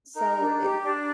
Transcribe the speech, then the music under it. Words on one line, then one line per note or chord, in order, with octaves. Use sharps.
So it
D#4 A#4
D4
G4
D4